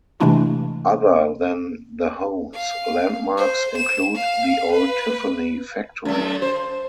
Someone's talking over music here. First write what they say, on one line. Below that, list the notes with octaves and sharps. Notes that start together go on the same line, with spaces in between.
Other than the homes, landmarks include the old Tiffany factory.
C3 E3 G#3 A3 D4 E4
F5
C5
E7
F5
B4
F#2 A3
C5